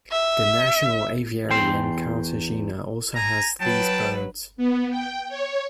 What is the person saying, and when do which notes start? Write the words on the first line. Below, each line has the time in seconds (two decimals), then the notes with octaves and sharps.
The National Aviary in Cartagena also has these birds.
0.12 E5
1.50 E2 G5 C6
3.15 G#5 A#5
3.61 F#3 B4 G5 A5
4.57 B3
4.90 G5
5.29 C#5